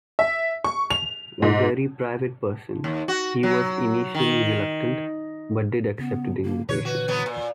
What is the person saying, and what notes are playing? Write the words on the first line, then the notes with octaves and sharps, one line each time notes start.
A very private person, he was initially reluctant, but did accept the invitation.
E5
C#6
F7
G#2
D#2
F#4
F#3
D#3
C#3 B3
A#3
A#2 D3 E3 B4 C#5
F#4 B4
F#3 B3
A#2